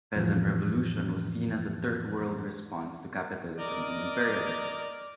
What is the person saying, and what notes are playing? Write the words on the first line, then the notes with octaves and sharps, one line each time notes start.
Peasant revolution was seen as a Third World response to capitalism and imperialism.
F2 A2 E3 F3
A#4 D5 D#5